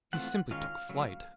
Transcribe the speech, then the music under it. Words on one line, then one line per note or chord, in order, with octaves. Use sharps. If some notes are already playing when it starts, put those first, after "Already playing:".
He simply took flight.
E3 A3 C4 F4 F#5
D#3 G#3 C#4 F4 F5
C#3 F#3 A3